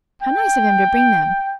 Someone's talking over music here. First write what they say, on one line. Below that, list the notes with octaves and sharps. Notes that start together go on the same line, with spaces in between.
How nice of him to bring them!
G5